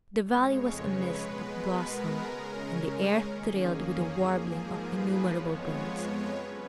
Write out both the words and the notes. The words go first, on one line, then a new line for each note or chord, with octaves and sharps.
The valley was a mist of blossom, and the air thrilled with the warbling of innumerable birds.
F2 C#3 G#3 C#5
B4
B2 G#3 B3
A#4
C#3 G#3 C#4
A#4
F2 D#3 A#3 C#4 G#4
G#4
G#2 F3 A#3
B4
F2 F3 G#3 B3 C#5
C#3 F#3 C#4 B4